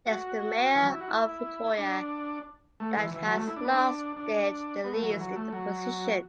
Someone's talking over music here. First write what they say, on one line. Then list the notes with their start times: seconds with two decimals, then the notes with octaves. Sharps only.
Is the mayor of Vitoria that has lasted the least in the position.
0.06 F#4
0.75 E3
0.83 F#3
0.93 E4
1.01 F#4
1.09 E4
1.78 D4
2.80 A3
2.97 E3
3.14 E3
3.26 F#3
3.37 A3
3.48 E4
3.56 D4
3.65 B3
3.73 D4
4.17 D4
4.84 B3
4.93 A3
5.02 F#3
5.11 E3
5.19 F#3
5.36 A3
5.53 F#3